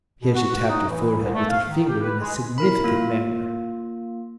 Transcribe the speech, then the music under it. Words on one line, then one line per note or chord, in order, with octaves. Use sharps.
Here she tapped her forehead with her finger in a significant manner.
B2
F#4
F#4
D#4
E3
C2
A3
F5
D#3
G4
B4
G#3
E4 A#4 B5
A#3 F4